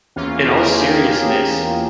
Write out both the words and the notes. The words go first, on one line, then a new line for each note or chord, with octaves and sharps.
in all seriousness,
E2 E3 A#3 C#4 F4
F4
G4
A#4
G#4